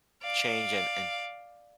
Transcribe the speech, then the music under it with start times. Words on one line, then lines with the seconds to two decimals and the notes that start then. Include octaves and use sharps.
change and and
0.23 D5 F5